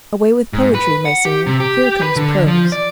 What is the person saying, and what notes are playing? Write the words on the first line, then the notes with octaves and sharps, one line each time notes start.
"Away with poetry, my singer, here comes prose."
G#2
B4
F#5
G4
C3
G4
B4
D3
F3
D5